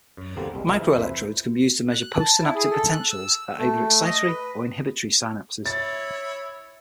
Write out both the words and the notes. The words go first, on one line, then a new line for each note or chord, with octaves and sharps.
Microelectrodes can be used to measure postsynaptic potentials at either excitatory or inhibitory synapses.
F#2
E2 D3 G3 A#3 C4
C2 G3 G#3
C2 F3 G#3 E4 A#4 D#5
E3 E4
C2 F2 B4 C5 E5
F#6
A5
E4
G#4
A4
F#6
E6
A3
D#5
B4
E4 C#5 A6